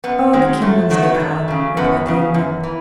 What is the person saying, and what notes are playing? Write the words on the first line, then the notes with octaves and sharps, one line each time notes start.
"Oh! the king means no harm," replied the young man.
F#2 B3
D#3 F#3 G#3
F#2 A3
D#3 F#3 A3
B3
A3
F#2
C#3 F#3
F#2 B3
C#3 F#3
F#2
E3